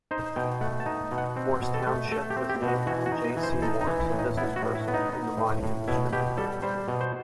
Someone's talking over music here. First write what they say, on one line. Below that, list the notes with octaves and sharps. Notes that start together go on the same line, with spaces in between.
Morse Township was named for J. C. Morse, a businessperson in the mining industry.
D#4 C5
B2 G5
A3 F#5
A5
D#4
B2
F#5
C4
B2
A4
A3
A3 A4
G4
C4
G4
B2
F#4
E3 F#4
F#4
D#4
D#5
E3
C5
D#4 A4
D#4
E3
E4
A2
D#4
B3 E4
F#4
A2
E4
B3
D#4
D#4
A2
A2
B2 E4
B2 G4
G3 A4
G3 C5
B2
C5